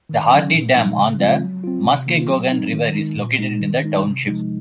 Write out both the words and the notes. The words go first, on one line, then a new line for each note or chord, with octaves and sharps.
The Hardy Dam on the Muskegon River is located in the township.
D#3
F#3 C#4
A#2
F3 G#3 D#4
C#3
F3 G#3 C4 F4
F#3
C4 F4
C3
D#3 A#3 F4
F#3
C4 D#4
D#3
G#3 D#4
A#2
G#3 D#4
D#3
G#3 D#4
C3
F3 G#3 D#4